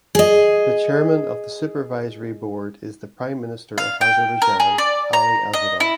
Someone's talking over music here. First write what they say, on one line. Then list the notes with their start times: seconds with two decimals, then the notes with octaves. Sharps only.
The Chairman of the Supervisory Board is the Prime Minister of Azerbaijan Ali Asadov.
0.15 G#4 D#5
3.78 F5
4.01 G5
4.42 A#4
4.60 G#4
4.78 D5
5.13 A#5
5.53 D#5
5.80 E4